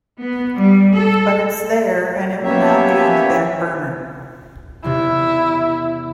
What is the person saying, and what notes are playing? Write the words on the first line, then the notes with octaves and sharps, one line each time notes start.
But it's there and it will now be on the back burner.
B3
G3
A4
A#3 B3 C#4 G4 C#5 E5
E2 C3 E4